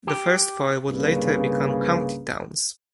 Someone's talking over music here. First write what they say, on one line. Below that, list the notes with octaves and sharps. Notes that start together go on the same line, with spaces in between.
The first four would later become county towns.
G4
C2 G2 C#3 A#3 B4